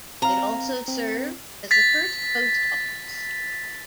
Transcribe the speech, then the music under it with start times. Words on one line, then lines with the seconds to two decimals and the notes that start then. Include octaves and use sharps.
It also served as the first post office.
0.22 C4 F5 A#5
0.88 C4
1.71 A6 B6